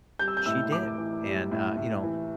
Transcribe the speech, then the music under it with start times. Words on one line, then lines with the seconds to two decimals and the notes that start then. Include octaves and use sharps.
she did, and, uh, you know,
0.19 G3 G6
0.28 E6
0.37 G6
0.46 A2 E6
0.72 A2 D6
0.98 E3
1.24 G3
1.52 A2
1.77 A2
2.04 E3